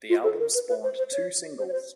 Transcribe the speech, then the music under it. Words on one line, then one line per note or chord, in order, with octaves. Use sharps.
The album spawned two singles.
F4
A4
A#4
B4
B4
C5
C5
C#5
C5
C#5
C5